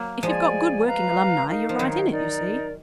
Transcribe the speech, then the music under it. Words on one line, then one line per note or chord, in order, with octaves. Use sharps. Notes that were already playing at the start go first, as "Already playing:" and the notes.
If you've got good working alumni, you're right in it, you see.
Already playing: F#3 A#3
F3 G#3 G#4 D5 G#5
B4 F5 A#5
D#4 A#4 F5
F3
D#3 F#3
D#4 A#4 D5